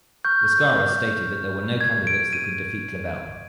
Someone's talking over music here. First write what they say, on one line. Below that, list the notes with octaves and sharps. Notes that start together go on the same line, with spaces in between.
Laskaris stated that there were no candidates that could defeat Clavelle.
C#6 F6 G6
G#6
D7
D#7